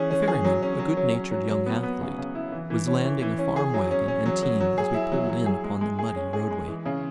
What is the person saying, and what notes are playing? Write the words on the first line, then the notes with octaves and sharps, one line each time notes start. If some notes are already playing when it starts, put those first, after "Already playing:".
The ferryman, a good-natured young athlete, was landing a farm-wagon and team as we pulled in upon the muddy roadway.
Already playing: E3 C#4 G#4
C#4
G#4
F#3
C#4
F#3
F#3
C#4
F#3
F#3
B3
B3
C#3
C#3
E4
E3
E3
C#4
E3
E3
C#4
G#4
F#3
C#4
C#4
F#3
F#3
F#3
G#4
E4
F#3
F#3
G#4
G#3
G#3
G#4
C#4
G#4
G#3
E3
C#3